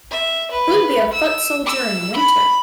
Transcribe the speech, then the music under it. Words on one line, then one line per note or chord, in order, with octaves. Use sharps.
Who'd be a foot soldier in winter?
E5
B4
E6
E6
B5